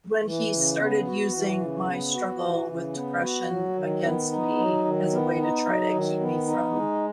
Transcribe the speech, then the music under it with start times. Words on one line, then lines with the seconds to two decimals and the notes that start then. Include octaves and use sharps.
when he started using my struggle with depression against me as a way to try to keep me from
0.24 E3
0.52 C#3
0.79 B3
1.06 F#4
1.33 E3
1.60 C#3
1.88 B3
2.14 F#4
2.41 E3
2.68 C#3
2.95 B3
3.23 F#4
3.50 F#3
3.77 D#3
4.04 B3
4.31 D#4
4.58 F#3
4.85 D#3
5.11 B3
5.39 D#4
5.66 F#3
5.94 D#3
6.20 B3
6.47 D#4
6.74 G#3